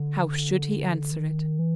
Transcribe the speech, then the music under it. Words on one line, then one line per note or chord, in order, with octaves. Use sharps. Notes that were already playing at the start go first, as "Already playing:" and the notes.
How should he answer it?
Already playing: D3
D#3
E3